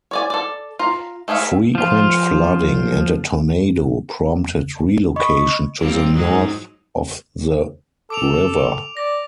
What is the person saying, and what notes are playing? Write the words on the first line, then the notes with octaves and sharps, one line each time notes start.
Frequent flooding and a tornado prompted relocation to the north of the river.
C#5 D5 G#5
A4 D5
F4 A#5
A3 G#4 C#5 E5 F5
F3 F4
D#5 B5 C#6
G3 A#3 C4
G#2 F#3 D#4
A4 D6 D7 F7
D5 A#6